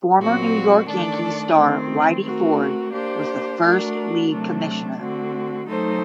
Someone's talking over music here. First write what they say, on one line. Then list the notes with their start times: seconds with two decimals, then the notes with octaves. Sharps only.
Former New York Yankees star Whitey Ford was the first league commissioner.
0.18 A#2 F#3 C4 F#4
0.86 D#3 A3 D4 A4 D5
1.55 D#3 A3 C4
2.24 A3 C4 F#4 A#4
2.92 A#3 D4 G4 C5
3.62 A3 D4 F#4 A#4
4.30 C3 F#3 A3 D4
4.99 D3 A3 C4 F#4
5.67 F#3 A3 D#4 A4 C5